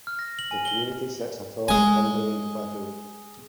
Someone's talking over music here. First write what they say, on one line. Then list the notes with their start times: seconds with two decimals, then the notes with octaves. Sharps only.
The community sits atop the Cumberland Plateau.
0.07 F6
0.19 A#6
0.39 F#7
0.51 G#5
0.65 G7
1.68 G#3 G#5